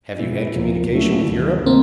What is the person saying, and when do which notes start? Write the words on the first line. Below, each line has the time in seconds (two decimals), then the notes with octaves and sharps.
Have you had communications with Europe?
0.19 B2 G#3 B3 E4
0.55 D2 C3 F3 A#3
0.93 D3 F#3 A3 C#4 E4
1.29 D2 C3 D#3 F#3 B3
1.66 C3 D#3 F#3 A3 A#3 C4